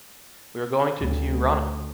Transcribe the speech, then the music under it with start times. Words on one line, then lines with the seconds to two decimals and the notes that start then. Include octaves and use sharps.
We are going to Tiurana.
0.99 D2